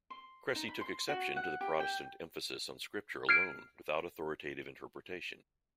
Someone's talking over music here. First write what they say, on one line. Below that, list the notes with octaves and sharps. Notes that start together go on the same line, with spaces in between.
Cressy took exception to the Protestant emphasis on scripture alone without authoritative interpretation.
C6
D#4
B5
C6
F#4
F#5
G4
G5
F6 G#6 C7 D7